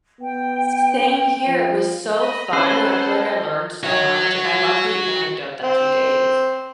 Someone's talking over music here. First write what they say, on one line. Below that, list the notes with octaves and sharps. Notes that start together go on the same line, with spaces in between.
S same here, it was so fun, and I feel like I learned so much, and I love the anecdote that you gave.
B3 G5
F3
D#5 B5
C4 C#4 G#4 A4 B4 C5 F#5
F#4 C#5
C4